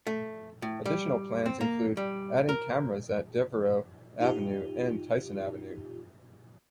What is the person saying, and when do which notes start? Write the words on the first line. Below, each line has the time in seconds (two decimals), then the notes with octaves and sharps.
Additional plans include adding cameras at Devereaux Avenue and Tyson Avenue.
0.07 A3
0.62 A2
0.85 G3
1.46 C4
1.61 A#3
1.97 G3
2.49 A#4
4.20 D#4 F4 G4